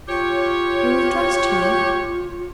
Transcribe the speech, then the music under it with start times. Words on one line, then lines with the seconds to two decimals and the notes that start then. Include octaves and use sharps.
You'll trust me?
0.07 F4 G4 C#5